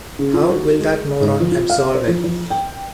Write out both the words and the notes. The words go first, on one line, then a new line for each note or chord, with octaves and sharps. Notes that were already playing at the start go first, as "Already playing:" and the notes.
How will that moron absolve it?
C#3
F4
F#4
G#3
G#2
F3
F4
F5
C5
F3
F3
G5